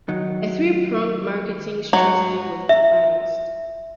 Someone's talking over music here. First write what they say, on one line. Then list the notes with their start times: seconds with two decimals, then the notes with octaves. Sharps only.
A three-pronged marketing strategy was devised.
0.09 D#3 F#3
1.93 G#2 F#3 C#5
2.69 E5